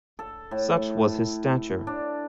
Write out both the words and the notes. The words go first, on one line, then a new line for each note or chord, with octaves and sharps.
Such was his stature.
A4
A2
D4